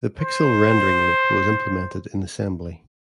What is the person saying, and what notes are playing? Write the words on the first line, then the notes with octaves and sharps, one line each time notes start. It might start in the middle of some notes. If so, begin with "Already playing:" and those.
The pixel rendering loop was implemented in assembly.
C5